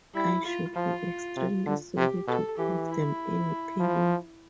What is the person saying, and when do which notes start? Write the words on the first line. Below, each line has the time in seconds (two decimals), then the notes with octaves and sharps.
I should be extremely sorry to give them any pain.
0.14 G3 E4
0.44 F4
0.75 F3 F4
1.37 C3
1.66 D3
1.96 C3 G4
2.27 B2 A4
2.58 E3 G4
2.88 E4
3.80 F3